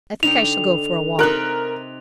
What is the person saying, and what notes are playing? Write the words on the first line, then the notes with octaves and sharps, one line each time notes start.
"I think I shall go for a walk."
D3 D#4 G5 F7
C3 D#4 A#4 F#6